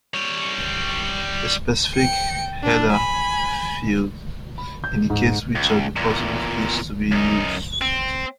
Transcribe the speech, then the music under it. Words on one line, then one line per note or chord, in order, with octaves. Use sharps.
A specific header field indicates which of the possible keys is to be used.
G3 C#5
G5 C#7
D4
G#5 B5
B5
G6
G#2
C#2
E2 A#2
F#2 D#4
C4